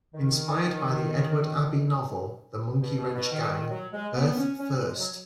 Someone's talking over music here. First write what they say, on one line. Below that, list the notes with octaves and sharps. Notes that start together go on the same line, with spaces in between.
Inspired by the Edward Abbey novel "The Monkey Wrench Gang", Earth First!
D#3
B2
B2
B2
D#3
D#3
F#3
G#3
B3
B3
C#4
C#4
G#3
F#3